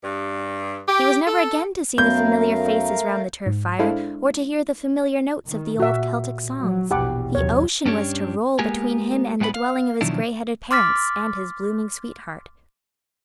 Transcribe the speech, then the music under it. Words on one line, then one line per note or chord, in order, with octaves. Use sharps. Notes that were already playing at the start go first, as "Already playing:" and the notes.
He was never again to see the familiar faces round the turf fire, or to hear the familiar notes of the old Celtic songs. The ocean was to roll between him and the dwelling of his greyheaded parents and his blooming sweetheart.
G2
G4
A4
F#2 A3 B3 A#4 F5 G6
G#2
G#3 D4 E4 A4 C5 F5
D#3
A#2 F#4 E5
F#3
A#1 E2 B2 G4 F#5 D6
D#2 C3 F#3 C#5
G2 C#4 D4 G4 C#5
G#3 A#3 B3 G4 A#4 G#5
A2 G#3 B3 F#5 B5
F5
B2 D#3 F3 F#3 D4 E4
C6 D6 F6 A6 B6